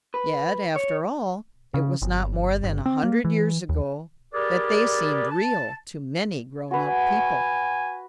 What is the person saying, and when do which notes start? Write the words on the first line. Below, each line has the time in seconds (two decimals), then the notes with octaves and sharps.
Yet, after all, it was not more than a hundred years ago that they seemed real to many grown-up people.
0.14 B4
0.76 C#5
1.74 C#3
2.02 G1
2.64 G1
2.86 C4
3.03 A#3
3.25 E3
3.69 D#2
4.33 G4 G#4 A#4 B4 D5
5.30 A5
6.71 F#4 B4 G#5